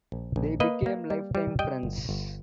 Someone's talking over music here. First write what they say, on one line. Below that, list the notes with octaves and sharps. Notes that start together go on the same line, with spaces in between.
They became lifetime friends.
A#1
A#1
A#3 B4 D#5
A#3
G3
G3
G3 D#5 G5
G1
G1